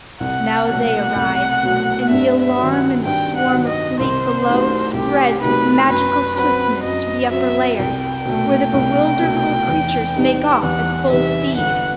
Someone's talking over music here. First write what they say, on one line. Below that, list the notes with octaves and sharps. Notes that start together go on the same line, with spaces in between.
Now they arrive, and the alarm in the swarm of bleak below spreads with magical swiftness to the upper layers, where the bewildered little creatures make off at full speed.
C2 F#5
B2 F#3 A3 F#5
C2
B2 F#3 A3
G2 E5
E5
D#3 F#3
F#5
G2 G5
F#5
D#3 F#3
D#5
C2 C5
C3 F#3 A3 D#4
C2 G4
C3 F#3 A3 D#4 B4
F#2 B4
F#3 C4 F#4 B4
F#2 D#5
F#3 C4 F#4 E5
C2 G5
B2 A3
C2
B2 A3
E2
C3 E3 G3 D#4
E2 F#5
C3 E3 G3 D#4 E5
G1 F#5